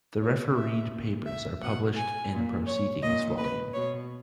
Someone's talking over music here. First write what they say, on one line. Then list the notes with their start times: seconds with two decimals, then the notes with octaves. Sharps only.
The refereed papers are published in a proceedings volume.
0.19 B2 C#5
0.55 E5
0.91 A#2
1.25 E5
1.62 B2 F#5
1.96 G#5
2.32 A#2
2.67 C#5
3.02 A#2 D#5
3.37 B4
3.73 B2 C#5